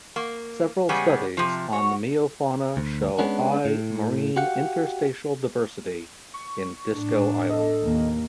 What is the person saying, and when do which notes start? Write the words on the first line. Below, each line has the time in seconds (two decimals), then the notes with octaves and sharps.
Several studies on the meiofauna show high marine interstitial diversity in Disko Island.
0.16 A#3
0.89 C#3 G3 G#3 B3 C#4 G#4
1.37 C3 F3
1.72 F#4 C#5
2.77 D2
3.19 G#3 B3 C#4 D4
3.65 A2
4.36 F#4 G4 F5 F#5
6.34 C#6
6.93 A2 D4
7.50 A4 D#5
7.83 D#2 A#3